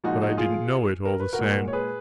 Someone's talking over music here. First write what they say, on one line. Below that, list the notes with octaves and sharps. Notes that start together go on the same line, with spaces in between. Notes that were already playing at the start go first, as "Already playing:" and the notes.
But I didn't know it, all the same.
A#2 F3 G#3 D#4 F#4
D#4 F#4
F4 G#4
A#4
B4
F#4 A#4
A#2 G#3
C#5
G#4 B4